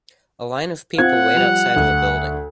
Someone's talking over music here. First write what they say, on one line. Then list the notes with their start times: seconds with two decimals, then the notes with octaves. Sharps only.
A line of people wait outside of a building.
0.98 C4 F4 F#5 G#6
1.34 F3 G3 F7
1.76 D2